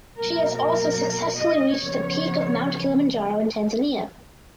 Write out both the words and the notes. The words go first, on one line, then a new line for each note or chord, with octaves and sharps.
She has also successfully reached the peak of Mount Kilimanjaro in Tanzania.
B2 F#3 A#3 A#4
A#4
D#5
C#3 F3 B3 C#5